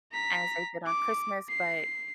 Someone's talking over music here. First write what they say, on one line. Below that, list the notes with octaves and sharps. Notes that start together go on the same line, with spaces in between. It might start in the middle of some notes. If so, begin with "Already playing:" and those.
as they did on Christmas, but
A#5 B6
D6
C7